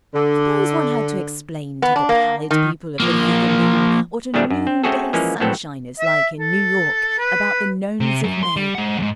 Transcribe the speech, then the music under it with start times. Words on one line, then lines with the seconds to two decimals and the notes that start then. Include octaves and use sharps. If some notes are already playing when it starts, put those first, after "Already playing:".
Suppose one had to explain to the pallid people of the thither moon what a noonday sunshine is like in New York about the Nones of May?
0.14 D3
1.82 B3
1.96 D4
2.09 A#3
2.51 D#3
3.00 F3 A#3
4.34 G#2 C#3 F3 G3 A3 D4
4.50 F#2
4.67 C4
4.84 A3 C4 C#4 F#4 G#4 A4
5.13 E3 F3 G#3 A#3 C#4
5.40 A#1 A2 F#3 B3 C4 A4
6.00 E5
6.40 A4
7.18 B4
8.00 C3
8.24 F#3 A#4
8.43 C6
8.56 G3
8.75 G#3 F#5
8.99 E2 G#2